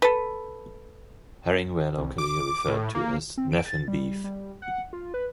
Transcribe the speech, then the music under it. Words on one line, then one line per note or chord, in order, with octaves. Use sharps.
Herring were locally referred to as "Nefyn beef".
A4 B4
C2
D6
A2
A#3
C4
D7
A6
G3
G3
F#5
F4
B4